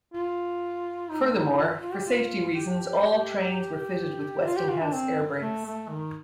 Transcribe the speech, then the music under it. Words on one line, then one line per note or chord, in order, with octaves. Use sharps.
Furthermore, for safety reasons all trains are fitted with Westinghouse air brakes.
F4
D#4
A3
D#4
D#4
F4
F4
G4
F4
G4
F4
G4
F4
D4
C4
A3
A3
D#3